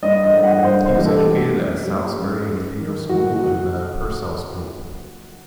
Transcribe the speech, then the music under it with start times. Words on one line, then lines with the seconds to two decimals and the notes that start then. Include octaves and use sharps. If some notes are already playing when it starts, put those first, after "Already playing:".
He was educated at Salisbury Cathedral School and the Purcell School.
0.03 G2 D#5
0.24 D#5
0.34 G2
0.44 F#5
0.64 G2 C5
0.86 C5
0.95 A1 G4
1.05 A4
1.26 A3 G4
1.57 F#2
1.87 F#2 G4
2.18 F#2
2.49 F#2
2.80 D#3
3.09 F#1 F#4
3.36 F#4